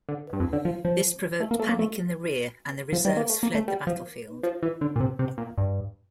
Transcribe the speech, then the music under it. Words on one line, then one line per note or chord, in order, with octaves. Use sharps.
This provoked panic in the rear and the reserves fled the battlefield.
D3
G2
F2
D3
F3
F3
A3
A#3
A3
A#3
A3
F3
G3
A#3
A3
A#3
A3
G3
F3
F3
E3
D3
A#2
C3
C3
A#2
G2